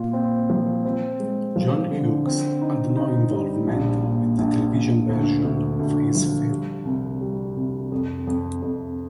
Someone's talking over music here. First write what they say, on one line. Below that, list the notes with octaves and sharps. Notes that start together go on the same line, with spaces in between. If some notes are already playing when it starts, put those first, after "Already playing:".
John Hughes had no involvement with the television version of his film.
Already playing: A#2 F4
C4
F3
C4
G#3
F3
D3
C4
D#4
D#4
G3
A#1
A#2
A#1
A#1
D2
D2
D2
F3
G3
C2
G3
C2
F2
F2
F2